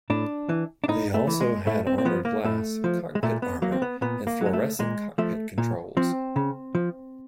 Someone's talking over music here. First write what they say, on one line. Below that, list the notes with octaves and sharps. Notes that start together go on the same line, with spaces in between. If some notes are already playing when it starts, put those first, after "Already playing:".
They also had armored glass, cockpit armor and fluorescent cockpit controls.
A2 D4
E3
D4
A2 D#4
A3
E3
G#3
A2 A3
C4
C4
F3 B3
A#3
A2 A3
F3
G#3
A#2 A3
B3
F#3 A#3
C4
B3
A#2 B3
A#3
F#3 G#3
A3
A#2 G#3
F3 A3
A#2
F3 C4
C#3
F3